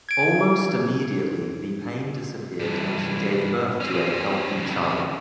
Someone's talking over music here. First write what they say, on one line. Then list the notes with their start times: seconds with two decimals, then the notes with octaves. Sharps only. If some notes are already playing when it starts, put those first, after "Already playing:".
Almost immediately the pain disappeared and she gave birth to a healthy child.
0.09 G#6 D7
2.59 G2 E3
3.80 C4 C#4
4.56 F2 C#3